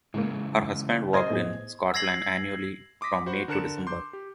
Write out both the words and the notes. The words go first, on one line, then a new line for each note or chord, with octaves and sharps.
Her husband worked in Scotland annually from May to December.
A2 C#3 E3 G#3 A#3
C5 D#5 F6 G#6 A#6 C7
A2 A3 B3 E4 G#4
E6 G#6 A#6 C7 F#7
C6 D6 D#6 A#6 B6
F#4 C5 F#5 B5
D3 A#4 A5 F#6 C#7 E7
C6 D6 G6
G4